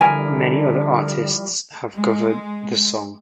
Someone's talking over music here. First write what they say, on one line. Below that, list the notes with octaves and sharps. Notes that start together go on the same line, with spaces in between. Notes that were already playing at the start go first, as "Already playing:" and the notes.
Many other artists have covered the song.
D3 F3 G3 E4 A#4 G#5
G#3